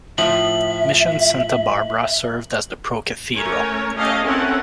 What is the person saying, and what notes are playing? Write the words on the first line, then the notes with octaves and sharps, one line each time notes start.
Mission Santa Barbara served as the pro-cathedral.
A2 F3 E5 F#7
A3 C#4 A#4 C#5
A3 C#4 G4 A4 D#5 F5
C4 C#4 E4 A4 A#4 F#5